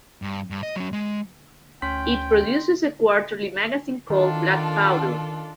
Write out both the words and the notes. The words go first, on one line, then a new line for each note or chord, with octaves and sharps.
It produces a quarterly magazine called "Black Powder".
G2
G2
D#5
F#3 C#4
G#3
D2 C#4 G5 C6 B6
D#3 D4 F4 A4